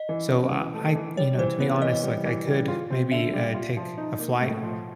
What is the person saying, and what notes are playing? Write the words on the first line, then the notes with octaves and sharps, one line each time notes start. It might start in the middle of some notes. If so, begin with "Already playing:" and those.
So, I I you know, to be honest, like, I could maybe, uh, take a flight
Already playing: D#5
E3
C#4
E3
A3
E3
G3 C#5
E3 C5
B3 C#5
E3 D#5
G3
E3
G3
F4
C4
D3 E5
G3
F4
F3
D#4
A#3
A2
F3